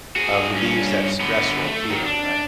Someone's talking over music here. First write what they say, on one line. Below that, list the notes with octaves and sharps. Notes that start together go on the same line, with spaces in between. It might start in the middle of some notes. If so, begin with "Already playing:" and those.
uh, relieves that stressful feeling, right?
F#4 G#4
G2 C#4
D3 B3
A3
D#3 F#3
D4